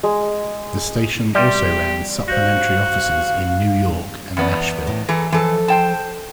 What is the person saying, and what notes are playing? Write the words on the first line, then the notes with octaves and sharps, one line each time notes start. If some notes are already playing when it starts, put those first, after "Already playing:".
The station also ran supplementary offices in New York and Nashville.
G#3
G3 G4 D5 E5 C6
F#4 C5 F5 G6 A#6
E2 B3 D5
A2
E3 G#4 A4 A#5
E3 F3 A4
C5 G5 A5